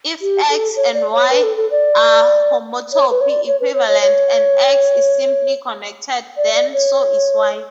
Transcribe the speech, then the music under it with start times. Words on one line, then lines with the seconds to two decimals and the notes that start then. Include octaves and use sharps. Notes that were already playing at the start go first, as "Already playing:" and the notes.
If "X" and "Y" are homotopy-equivalent and "X" is simply-connected, then so is "Y".
0.22 G4
0.49 A4
0.76 C#5
0.93 D5
1.13 C#5
1.30 B4
1.43 A4
1.57 A4
1.71 D5
2.93 C#5
3.10 B4
3.21 C#5
3.29 D5
3.47 C#5
3.60 B4
3.74 C#5
3.88 C#5
4.01 C#5
6.37 D5
6.54 D5
6.73 C#5